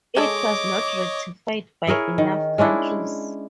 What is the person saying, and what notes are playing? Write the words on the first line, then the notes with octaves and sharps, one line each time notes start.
It was not ratified by enough countries.
G#3 G#4 A4 C#5 D#5 D6
E4 G#4 A#4 C#5
D#3
G#3 C#4 D4 E4